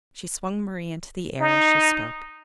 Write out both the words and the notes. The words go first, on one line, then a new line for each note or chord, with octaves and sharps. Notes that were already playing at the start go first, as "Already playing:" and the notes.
She swung Marie into the air as she spoke.
D#4